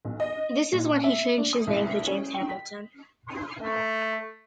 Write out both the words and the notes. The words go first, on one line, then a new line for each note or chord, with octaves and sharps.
This is when he changed his name to James Hamilton.
B1
D#5
A#2
E5
D4
D#6
C2
C#4
G5
B6
A3